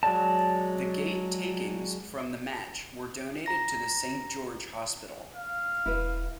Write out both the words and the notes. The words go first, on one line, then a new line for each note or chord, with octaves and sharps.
The gate-takings from the match were donated to the Saint George Hospital.
F#3 G#3 D5 A5
A#5 A#6
F5
E1 E4 B4